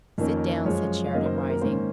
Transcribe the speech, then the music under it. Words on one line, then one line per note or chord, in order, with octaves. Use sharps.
"Sit down," said Sheridan, rising.
F2 D#3 A#3 C#4
F#2 F3 G#3 C#5
F5
F#2 D#3 F#3 A#3 D#5
C5
C5
A#4
G#2 D#3 A#3 C#4 C5